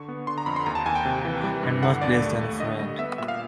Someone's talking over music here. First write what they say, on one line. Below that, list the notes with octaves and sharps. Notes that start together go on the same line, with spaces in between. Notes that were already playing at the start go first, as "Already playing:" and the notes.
And much less than a friend.
Already playing: D3 C#6
B3
D3 C6
A#5
F2 B5
C6
D#2 A#5
A5
D#2 G#5
G5
C3
E3
G3
G2
D3 F#5
D#2 D5
A3
A3
D3 D#5
G3 D#5
B3 E5
A#2 E5
F5